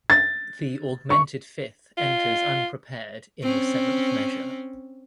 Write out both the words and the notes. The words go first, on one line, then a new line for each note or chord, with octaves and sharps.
The augmented fifth enters unprepared in the seventh measure.
A6
C#6
F4
C4 C#4